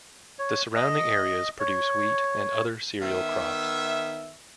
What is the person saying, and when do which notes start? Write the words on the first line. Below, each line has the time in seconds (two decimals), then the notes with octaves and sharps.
The surrounding areas produce wheat and other cereal crops.
0.39 C#5
0.75 D#5
1.60 C#5
3.02 D#3 B3 E5